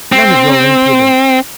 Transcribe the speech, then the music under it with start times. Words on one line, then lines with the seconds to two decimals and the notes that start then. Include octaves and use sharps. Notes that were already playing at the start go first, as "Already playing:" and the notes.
"None of your impudence!"
0.12 C4